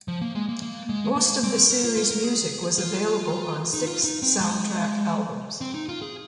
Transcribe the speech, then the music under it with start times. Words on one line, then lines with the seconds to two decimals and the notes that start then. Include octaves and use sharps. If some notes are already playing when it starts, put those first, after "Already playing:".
Most of the series' music was made available on six soundtrack albums.
0.08 F3
0.22 A#3
0.35 G#3
0.49 A#3
0.62 A#3
0.89 G#3
1.16 A#3
1.43 C4
1.70 A#4
1.84 F4
1.97 F4
2.11 A#4
2.24 G#4
2.78 F4
3.74 D#4
3.86 F4
4.04 D#4
4.23 C4
4.41 G#3
5.61 C4
5.74 D#4
5.89 F4
6.02 G#4